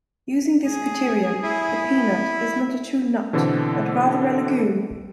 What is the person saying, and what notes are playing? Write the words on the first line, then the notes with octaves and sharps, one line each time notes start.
Using this criterion, the peanut is not a true nut, but rather a legume.
A3 G#4
E4 G#4
B3
B2 D3 E3 C4 A4